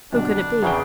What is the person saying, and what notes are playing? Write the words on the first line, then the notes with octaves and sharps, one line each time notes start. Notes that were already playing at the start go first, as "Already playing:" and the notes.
Who could it be?
B1 G2 D3 D4
D2
E2 C#3 G#4 G5